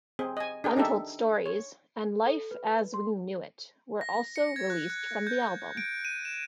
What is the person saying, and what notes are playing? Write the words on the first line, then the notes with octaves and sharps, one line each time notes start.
"Untold Stories" and "Life as We Knew It" were also released from the album.
C4 G#4
D#5 G#5
D4 G#4 A#4
D4 D#4 G4 A4 E5
C#5
A4
B4
C6
A#6
C#7
G#6
F#6
F#6
G6
D7
D#7
E7